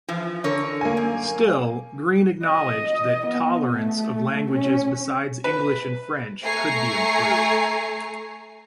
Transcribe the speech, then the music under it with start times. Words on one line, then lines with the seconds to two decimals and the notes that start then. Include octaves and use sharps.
Still, Green acknowledged that "tolerance" of languages besides English and French could be improved.
0.08 E3 F3
0.44 D3 A#4 C#5
0.81 A#3 G#5
0.97 F#2
2.45 D#5
3.26 B3
3.77 A3
4.51 C#4
5.44 B4
6.44 A3 G#5 A#5 C#6 C7